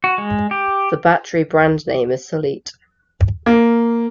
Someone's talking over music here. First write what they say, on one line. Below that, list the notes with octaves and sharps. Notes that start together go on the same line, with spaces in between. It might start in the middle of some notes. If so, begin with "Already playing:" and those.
The battery brand name is Solite.
F#4
G#3
G4
A#3